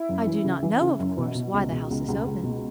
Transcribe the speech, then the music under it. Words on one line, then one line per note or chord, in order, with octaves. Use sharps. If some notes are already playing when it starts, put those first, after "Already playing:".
I do not know, of course, why the house is open.
Already playing: E4
F#2
E3
C#3
E3
C#3
F#2
B2
B2
C#2
B2
C#2
C#2
C#2
B2